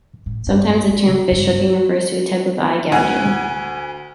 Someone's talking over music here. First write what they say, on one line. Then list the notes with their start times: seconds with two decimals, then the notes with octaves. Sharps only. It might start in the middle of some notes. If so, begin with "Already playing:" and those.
Sometimes, the term fish hooking refers to a type of eye gouging.
0.26 A2
0.47 G2
0.90 G#3
1.06 C#3
1.31 G2
2.92 D2 F#5 G#5